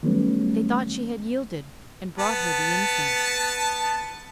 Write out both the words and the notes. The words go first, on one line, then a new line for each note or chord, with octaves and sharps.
They thought she had yielded, and brought her the incense.
D#3 F#3 G3 A3 B3 C#4
B3 A5